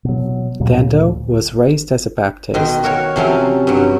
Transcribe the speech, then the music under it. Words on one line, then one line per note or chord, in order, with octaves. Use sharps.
Dando was raised as a Baptist.
B2 F#3
D2 A#2 F#3
B2 D#3 C6
F#4 A#4 C#5
C3 F3 F#3 C#4
G2 F#3